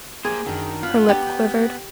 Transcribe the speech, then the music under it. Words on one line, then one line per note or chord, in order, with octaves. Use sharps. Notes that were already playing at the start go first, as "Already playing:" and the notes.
Her lip quivered.
A#3 G4 G#4 C5
F#2 D#3 D4
B3 F4
D4 G4 A4
G5